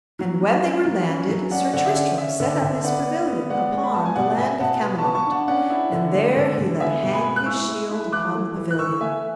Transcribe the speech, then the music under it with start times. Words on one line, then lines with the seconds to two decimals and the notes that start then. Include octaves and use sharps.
And when they were landed Sir Tristram set up his pavilion upon the land of Camelot, and there he let hang his shield upon the pavilion.
0.19 F#3
0.41 F#3
0.63 C#4
0.85 F#3
1.07 C#4
1.29 F#3
1.51 C#4 D5 F#5
1.73 D3 D5 F#5
1.86 E5
1.95 C#4 D5 F#5
2.18 C#4 E5
2.40 D3 D5
2.61 D3 E5
2.83 B3 D5 F#5
3.05 B3
3.27 B3
3.49 G#3 D5 F#5
3.72 G#3
3.84 B5
3.94 B3 A5
4.06 G#5
4.15 B2 D5 F#5
4.38 B2 E5 G#5
4.60 B2 F#5 A5
4.82 B3
4.98 A5 C#6
5.04 B3
5.15 A5 C#6
5.26 D4
5.32 F#5 A5
5.48 C#4 D5 F#5
5.70 E4
5.92 D3
6.14 G#3
6.36 D3
6.58 D3
6.80 B3 E5 G#5
7.02 B2
7.13 G#5 B5
7.24 G#3
7.36 F#6
7.46 E4 C#6 E6
7.68 G#3
7.91 E4
8.12 E3 D6 F#6
8.35 A3
8.56 E3
8.71 F#6
8.78 E3 C#6 E6
9.00 A3 E5 G#5